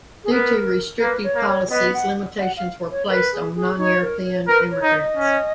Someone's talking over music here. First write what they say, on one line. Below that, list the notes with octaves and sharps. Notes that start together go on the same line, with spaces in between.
Due to restrictive policies, limitations were placed on non-European immigrants.
G#4
B3 A#4
A#3 B4
C#5
A#3
C#5
B3 D#5
F#5
F#5
F5
C#5
A#4 B4
G#4
G#4
D#4 C#5
A#4
C#5
A#4 B4
C#5
D#4
D#5
C#4